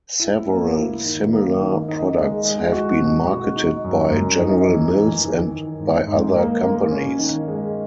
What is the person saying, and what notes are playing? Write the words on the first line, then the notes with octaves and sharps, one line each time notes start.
Several similar products have been marketed by General Mills and by other companies.
E4
A#3
E4
D#3
A#3
D#3
D#4
G#3
G#3
F#4
B2
F#4
D#4
F#2
F#2
D#4
E3
E3
D#3
D#3
G#2
G#2
A#3
A#3
C#4
D#3
G#3